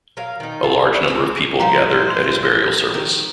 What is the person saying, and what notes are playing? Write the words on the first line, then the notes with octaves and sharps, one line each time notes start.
A large number of people gathered at his burial service.
F#3 A#4 F5
D#3 D#4
E3 F4 A4
C4 G#4
A2 F3 G3 G4 C5 F5 A#5
D#3